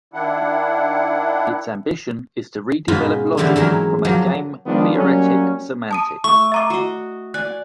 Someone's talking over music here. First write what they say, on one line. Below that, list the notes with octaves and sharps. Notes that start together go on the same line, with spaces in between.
Its ambition is to redevelop logic from a game-theoretic semantics.
D#3 D4 E4 F#5
G#2 B2 C#4 F4 F#4 B5
D3 E3 G3 A3 C4 C#4
G#2 E3 F#3 A#4 E5 A#5
F3 F#3 A#3 D#5
D#3 F3 G#3 B3 D4 F4
F#3 G3 A#3 C#4
A5 D#6 D#7
A3 C#6
E5 A#5 D6
F#4 D#5
D5 G#5 F#6